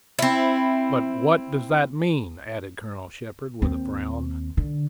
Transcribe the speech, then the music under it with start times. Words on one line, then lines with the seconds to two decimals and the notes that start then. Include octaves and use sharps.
"But what does that mean?" added Colonel Shepard, with a frown.
0.19 C4 E4
3.62 D#2 C4
4.57 D3